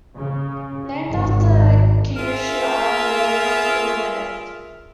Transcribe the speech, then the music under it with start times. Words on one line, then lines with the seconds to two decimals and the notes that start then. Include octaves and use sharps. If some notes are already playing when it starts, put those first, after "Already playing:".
Named after Kyushu island where the company was based.
0.14 C#3
1.10 G#1
2.17 F4 G#4 A#4 E5